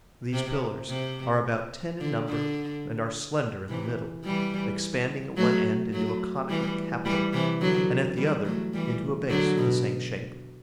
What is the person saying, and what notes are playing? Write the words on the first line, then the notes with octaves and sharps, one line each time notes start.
These pillars are about ten in number and are slender in the middle, expanding at one end into a conical capital and at the other into a base of the same shape.
C3
C3
D3
D3
C3 E3
E3 G3
F#3 A3
F#3 A3
E3 G3
E3 G3
C3 E3
D3 F#3
E3 G3
F#3 A3
E3 G3
D3 F#3
B2